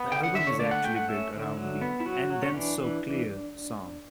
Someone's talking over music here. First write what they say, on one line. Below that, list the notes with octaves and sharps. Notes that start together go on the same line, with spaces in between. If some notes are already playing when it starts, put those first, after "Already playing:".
The album is actually built around the "And Then So Clear" song.
Already playing: B3
D3 G5
F#5
D3 E5
C#5
A3 D5
F#5
A3 G5
F#5
C#4 E5
D3
F#3
B3
E4
F#3 F#4
F#3
C#4
E3 D4
E3